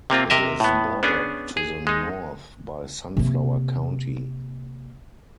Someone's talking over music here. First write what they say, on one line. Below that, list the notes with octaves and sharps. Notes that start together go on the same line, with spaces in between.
It is bordered to the north by Sunflower County.
C3 A#3 C4 F4
C3 A#4 D#5 E5
A2 B3
B3 C#4 D4 G#4
G#4
G#3 D#4
C3 A#3